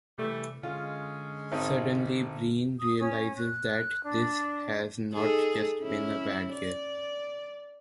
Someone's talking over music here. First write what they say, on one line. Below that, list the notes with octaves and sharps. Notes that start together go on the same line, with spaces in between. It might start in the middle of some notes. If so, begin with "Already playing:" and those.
Suddenly Breen realizes that this has not just been a bad year.
C3 E3 G3 A3
D3 G#3 C#4 F4
G#1 C4 D#4
D#6
C#4
F#6
D4
D#4 G#4 A4
C#4 E4
D5